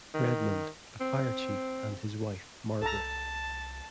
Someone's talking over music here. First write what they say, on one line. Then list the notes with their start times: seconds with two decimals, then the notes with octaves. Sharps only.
Redmond, a fire chief, and his wife, Margaret.
0.14 D#3
1.01 C4
2.82 C2 A4 A5 A#5